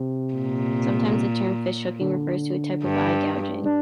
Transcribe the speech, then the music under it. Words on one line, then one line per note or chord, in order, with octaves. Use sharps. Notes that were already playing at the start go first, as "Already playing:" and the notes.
Sometimes, the term fish hooking refers to a type of eye gouging.
Already playing: C3
A#2
D3
G2
D4